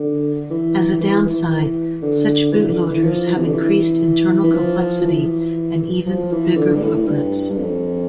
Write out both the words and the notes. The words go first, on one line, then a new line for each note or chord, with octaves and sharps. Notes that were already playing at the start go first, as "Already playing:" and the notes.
As a downside, such boot loaders have increased internal complexity and even bigger footprints.
Already playing: D3
E3
E3
E3
D3
E3
D3
E3
F3
E3
C3
D3
E3
E3
F3
F3
E3
F3
E3
D3
G2
A2
A2
G2
G2
F2